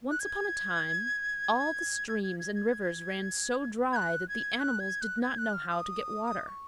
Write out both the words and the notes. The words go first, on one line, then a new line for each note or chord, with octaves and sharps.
Once upon a time all the streams and rivers ran so dry that the animals did not know how to get water.
F#6
G#6
G#6
G#6
G#6
G#6
G#6
F#6
G#6
F#6
G#6
F#6
G#6
F#6
F6
D#6
C#6